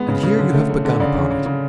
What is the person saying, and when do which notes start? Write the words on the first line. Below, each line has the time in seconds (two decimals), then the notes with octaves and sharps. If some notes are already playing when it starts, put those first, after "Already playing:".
And here you have begun upon it.
Already playing: G#3 B3
0.08 C#3
0.23 C#3
0.39 D3
0.54 A3
0.70 A3
0.85 D3
1.00 C#3 D5
1.15 C#3
1.31 C#3
1.46 C#3